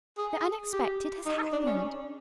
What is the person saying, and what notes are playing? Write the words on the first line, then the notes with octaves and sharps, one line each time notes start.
"The unexpected has happened!"
G#4
G4
D#4
D4
C#4